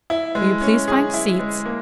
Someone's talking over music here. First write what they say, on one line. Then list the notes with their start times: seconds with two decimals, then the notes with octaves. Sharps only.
Will you please find seats?
0.10 E4
0.35 G#3
0.62 C#4
0.88 G#4
1.14 E4
1.39 G#3
1.66 A#3